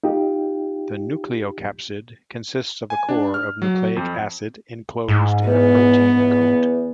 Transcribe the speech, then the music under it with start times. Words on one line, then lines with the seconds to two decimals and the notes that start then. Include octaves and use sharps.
The nucleocapsid consists of a core of nucleic acid enclosed in a protein coat.
0.04 D#4 F4 G4
2.90 G#5
3.09 D4
3.34 F6
3.62 F#3
3.96 F2
5.08 G#2
5.47 E2 B3
6.17 E2